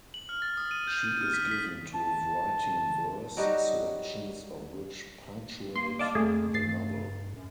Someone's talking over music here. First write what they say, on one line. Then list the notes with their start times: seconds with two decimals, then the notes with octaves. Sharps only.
She is given to writing verse, selections of which punctuate the novel.
0.14 F#7
0.29 F6
0.42 A6
0.57 D#6
0.71 D#7
0.87 G6
1.04 D#7
1.21 F6
1.34 B6
1.51 B6
1.94 A5
3.37 F#3 G3 D#4 F#4
5.76 A#3 C6
5.99 D5 D#5 F5 A5 D6
6.15 F2 A3 G#4
6.54 G2 A6 C7
7.34 F#2